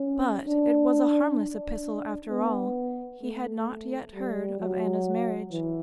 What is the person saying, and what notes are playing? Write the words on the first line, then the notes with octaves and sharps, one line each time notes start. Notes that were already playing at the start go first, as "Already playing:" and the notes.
But it was a harmless epistle after all; he had not yet heard of Anna's marriage.
Already playing: C#4
D4
D4
B3
A3
G3
F#3
E3